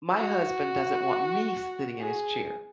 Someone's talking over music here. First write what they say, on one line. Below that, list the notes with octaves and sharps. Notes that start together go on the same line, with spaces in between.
my husband doesn't want me sitting in his chair,
F#4
G#4